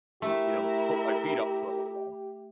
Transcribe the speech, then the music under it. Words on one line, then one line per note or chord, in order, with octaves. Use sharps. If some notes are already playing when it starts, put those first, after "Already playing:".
you know, put my feet up for a little while.
A3 E4 G4 A#4